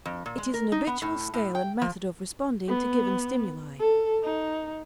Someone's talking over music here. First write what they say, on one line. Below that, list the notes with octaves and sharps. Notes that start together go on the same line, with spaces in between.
It is an habitual scale and method of responding to given stimuli.
F2
A#2
G#3
A#4
D#4
B3
A2
A2
G5
F3
B3
A4
D#4